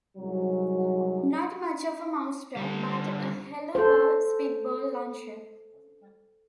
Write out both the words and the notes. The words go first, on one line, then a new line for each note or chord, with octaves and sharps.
Not much of a mousetrap, but a helluva spitball launcher...
C2 G#2 F#3
D3 G3
A4 C5